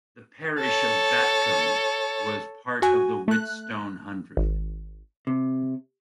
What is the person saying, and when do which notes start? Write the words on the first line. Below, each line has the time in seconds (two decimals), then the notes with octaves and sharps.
The parish of Batcombe was part of the Whitstone Hundred.
0.60 A4 C#5
2.82 F#4 G#5
3.28 A3 F#6
4.37 G#1
5.27 C3